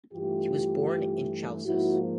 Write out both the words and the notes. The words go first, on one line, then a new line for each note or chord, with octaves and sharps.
He was born in Chalcis.
G2 E3 A3 F4 G4
G#2 F3 A#3 E4 F#4